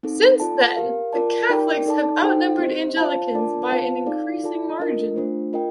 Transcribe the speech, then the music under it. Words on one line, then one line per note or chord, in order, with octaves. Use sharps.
Since then Catholics have outnumbered Anglicans by an increasing margin.
C4 D#4 A4
F4 A4 D5 A5
G4 A#4 F5
F4 A#4 D5 A5
D#4 G4 A#4 D5 G5
D#4 A4 D5 A5
D#4 A4 C5 G5
C4 G4 C5 D#5
F4 C5 F5 A5
D4 F4 A#4 D5 A5
C4 F4 C5 F5 A5
D#4 A4 D5 F5
F4 A4 D5 A5
D4 F4 A#4 D#5
A3 D4 F4 C5
F4 A#4 D#5 G5